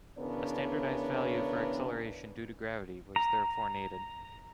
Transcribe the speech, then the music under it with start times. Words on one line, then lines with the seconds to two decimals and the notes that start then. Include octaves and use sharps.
A standardized value for acceleration due to gravity was therefore needed.
0.18 C#3 E3 B3 D4 A#4 C#5
3.16 A#5